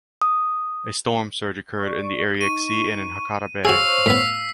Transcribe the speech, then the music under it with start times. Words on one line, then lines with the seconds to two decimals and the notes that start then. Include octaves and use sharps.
A storm surge occurred in the Ariake Sea and in Hakata Bay.
0.22 D#6
1.78 D5 C#6
2.41 D#4 C#6 D#7
3.65 F#4 G#4 C5 C#5 F5 C#6 E6
4.06 A2 B3 E6 B6 C7